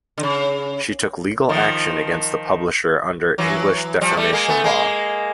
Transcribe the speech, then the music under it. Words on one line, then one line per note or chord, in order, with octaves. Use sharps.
She took legal action against the publisher under English defamation law.
D3
C#3
D#3 F3
E3 F#3
F3 G3
G3 A3
G#3 A#3
A3 B3
G#3 A#3